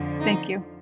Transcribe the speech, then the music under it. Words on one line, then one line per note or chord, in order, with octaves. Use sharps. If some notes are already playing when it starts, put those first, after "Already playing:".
Thank you.
Already playing: F2 D3 F3
D#4